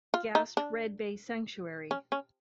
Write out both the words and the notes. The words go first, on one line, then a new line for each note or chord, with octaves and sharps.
Gast Red Bay Sanctuary.
F4
D#4
D4
C#4
C#4